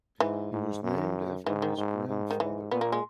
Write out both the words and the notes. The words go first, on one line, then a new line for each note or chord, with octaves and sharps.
He was named after his grandfather.
G#2 E3
G#2
F#2
G#2 E3
D#3
G#2
G#2
D#3
G#2 E3
A#2 B3
A#3
G#3